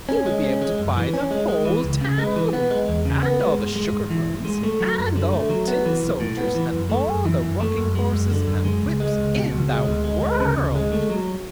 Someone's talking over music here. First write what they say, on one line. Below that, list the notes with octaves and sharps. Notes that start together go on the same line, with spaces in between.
He would be able to buy the whole town, and all the sugar-plums, and all the tin soldiers, and all the rocking-horses and whips in the world.
C#4
G#3
C#4
G#3
F#2
E3
C#4
G#3
G#3
E3
C#2
C#3
G#3
E3
B3
G#3
E2
C#3
B3
G#3
G#2
G#3
G#2
E3
G#2
G#3
A3
F#3
F#2
D3
A3
F#3
B3
E3
B1
A2
B3
E3
F#2
A3
F#2
E3
F#2
A3
F#2
G#3
F#2
D3
F#2
G#3
C#2
G#3
C#2
B2
C#2
G#3
D2
G#3
D2
C#3
D2
G#3
A3
F#3